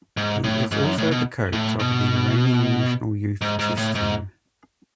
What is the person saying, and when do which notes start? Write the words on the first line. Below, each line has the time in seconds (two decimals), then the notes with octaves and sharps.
He is also the coach of the Iranian national youth chess team.
0.17 G#2
0.44 A2
0.72 G#2
0.84 F#2
0.98 A2
1.11 B2
1.53 A2
1.80 B2
3.41 G#2
3.59 G#2
3.77 A2
3.95 G#2